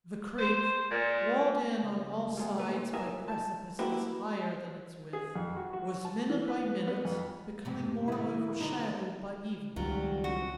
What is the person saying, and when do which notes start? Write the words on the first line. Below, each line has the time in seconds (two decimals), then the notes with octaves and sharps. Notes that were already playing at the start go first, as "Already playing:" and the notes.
The creek, walled in on all sides by precipices higher than its width, was minute by minute becoming more overshadowed by evening.
0.38 C5
0.91 A#2
1.83 C#2
2.37 G3 G#3 B3
2.57 C2 A#2 D#3 A3 B4
2.93 C2 D#4 F4 A#4 E5 G#5
3.28 A5
3.79 A#3 E4 F#4 G4 A#4 B4
5.13 G#4
5.36 F2
5.57 F#4
5.73 F#4
6.05 A5
6.29 E3
6.48 B4
6.88 B3
7.05 F2
7.65 F2 G#2 C3
8.08 A2 D#3 E4
8.61 D3 F#3 B3 D#4
9.76 C#2 D#3 F#3 G3 F4
10.24 F#4